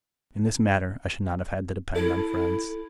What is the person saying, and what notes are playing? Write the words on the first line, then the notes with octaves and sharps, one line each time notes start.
In this matter I should not have had to depend on friends.
E4 A4